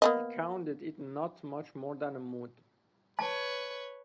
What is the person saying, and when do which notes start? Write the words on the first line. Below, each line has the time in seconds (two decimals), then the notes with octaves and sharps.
She counted it not much more than a mood.
0.02 A#3 B3 D#5
3.19 B4 C#5 A5